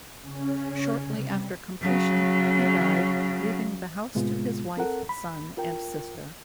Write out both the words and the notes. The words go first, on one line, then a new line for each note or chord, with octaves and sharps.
Shortly after completion, he died, leaving the house to his wife, son, and sister.
C#3 C#4
C3 G3
C#3 F#3
A2 C3 G#3 B3 F4
C4 A4 A#4 F#5
B5
F4 A#4 G5